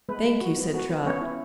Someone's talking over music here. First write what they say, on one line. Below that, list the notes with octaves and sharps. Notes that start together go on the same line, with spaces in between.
"Thank you," said Trot.
G#3 B3 B4
G#3
F#4
B3
F#4
B3
B3 C#4 C#5
E4